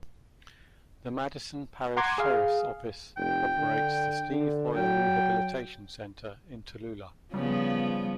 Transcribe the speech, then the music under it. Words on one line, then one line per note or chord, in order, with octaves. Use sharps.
The Madison Parish Sheriff's office operates the Steve Hoyle Rehabilitation Center in Tallulah.
F#5 A#5 C6 D6 G#6
G#4 F5
F1 G5
D3
D3
F#3 G5
C#3 F3 G3 B3